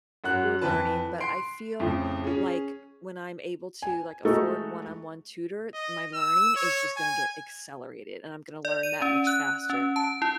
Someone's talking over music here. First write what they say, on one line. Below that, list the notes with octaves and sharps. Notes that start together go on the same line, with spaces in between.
we were learning but I feel, like, when I'm able to, like, afford one-on-one tutor, my learning is just gonna get accelerated, and I'm gonna learn that much faster.
F#2 F#4 F#5 F#6
F2 E3 B4 A5
C6 C7 D7
F2 A2 C#3 F3
C#4 G#4
G#5
G#3 A3 D#4 F#4 A4
D#5
E6
C#5
G#5
D5
D#7
C#4
F#6
C#4
A5
E4